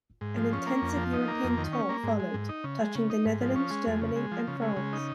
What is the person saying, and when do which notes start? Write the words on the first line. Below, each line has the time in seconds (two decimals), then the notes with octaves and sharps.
An intensive European tour followed, touching the Netherlands, Germany and France.
0.21 G#2
0.36 F3
0.53 C#4
0.67 A#3
0.82 F2
0.97 F3
1.13 D#4
1.28 A#3
1.44 F2
1.58 D#3
1.73 C#4
1.89 A#3
2.04 G#2
2.20 G#3
2.34 G#2
2.49 D#4
2.64 C#3
2.80 G#3
2.95 C#3
3.10 D#4
3.26 G#2
3.41 F3
3.56 C#4
3.70 G#3
3.87 F2
4.02 C#3
4.16 G#3
4.32 F3
4.47 C#3
4.62 G#3
4.77 C#3
4.93 D#4